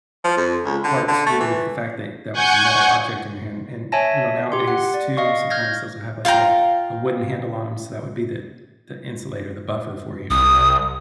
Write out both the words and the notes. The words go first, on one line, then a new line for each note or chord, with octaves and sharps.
part to do with the fact that that was a metal object in your hand, and, you know, nowadays too, sometimes those have like a a wooden handle on ‘em, so that would be the the insulator, the buffer for you, but
F3
F2
C#2
D3
D3
A3
E3
F#5 G#5 C#6 G6
C#5 E5 G#5 A5 A#6
G4 C6
F#5
D5
D#5 F5 C#6
F6 G6 G#6 A#6
F4 F5 G5 A#5
C2 D#6